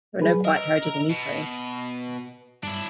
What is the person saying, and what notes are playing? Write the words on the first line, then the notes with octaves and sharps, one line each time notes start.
There are no quiet carriages on these trains.
F#3 G#4 B4
A#4 D#5 E6
B2
G2 D4 E4